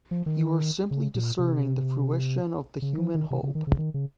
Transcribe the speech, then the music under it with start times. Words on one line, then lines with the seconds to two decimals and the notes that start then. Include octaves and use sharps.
You are simply discerning the fruition of the human hope.
0.11 F3
0.26 D#3
0.91 C#3
1.15 A#2
1.39 C3
2.82 C#3
2.98 F3
3.14 D#3
3.31 C3
3.43 C#3
3.55 D#3
3.67 C#3
3.78 D#3
3.94 C#3